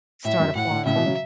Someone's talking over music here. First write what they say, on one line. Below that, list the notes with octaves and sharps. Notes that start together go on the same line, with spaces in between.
Start a farm.
A2 E5
F#2
A2 F#5
A2
A2 C#3 E5
B2 E3
C#3 F#3